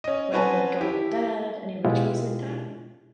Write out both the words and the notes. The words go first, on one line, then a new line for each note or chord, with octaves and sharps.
when you're, like, going to bed? Any rituals like that?
C#4 D#5
C4 C#4 F#4 B4 G#5 A5
E4 G4
B2 G#3 E4 F4 G4